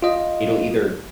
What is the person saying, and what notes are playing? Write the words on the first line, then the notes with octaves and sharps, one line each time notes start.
it'll either
F4 D#5